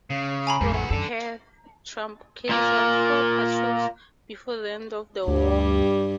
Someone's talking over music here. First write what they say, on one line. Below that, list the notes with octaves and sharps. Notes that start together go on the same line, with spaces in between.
From Perth, "Trump" carried out four patrols before the end of the war.
C#3
G#5 A#5 B5
A1 F2 G#2
E3 F#5
F#2 D#3 A4 D5
A#2 A#3
D2 G2 G3